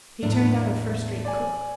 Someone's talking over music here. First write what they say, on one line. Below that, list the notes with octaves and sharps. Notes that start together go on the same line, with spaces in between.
He turned out a first-rate cook.
E2 A2 D4
D5 G#5